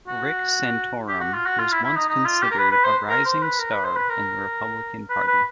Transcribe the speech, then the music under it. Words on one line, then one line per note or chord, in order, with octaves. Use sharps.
Rick Santorum was once considered a rising star in the Republican Party.
F#4
G4
F#4
F4
F#4
F4
E4
E4
D#4
D#4
F4
G4
A#4
B4
B4
C5
A#4
C5
B4
A#4
B4
C5
B4
A#4
B4
B4